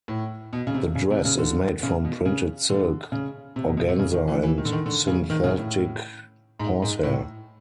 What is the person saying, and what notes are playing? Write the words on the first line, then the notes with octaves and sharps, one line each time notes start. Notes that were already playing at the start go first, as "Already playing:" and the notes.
The dress is made from printed silk organza and synthetic horsehair.
A2
B2
C#3
C3
C#3
C3
C#3
D3
C#3
B2
C#3
D3
C#3
C3
B2
B2
C3
C#3
D#3
E3
E3
D#3
D3
D#3
D3
C#3
D#3
C#3
A2
G#2
G#2
A2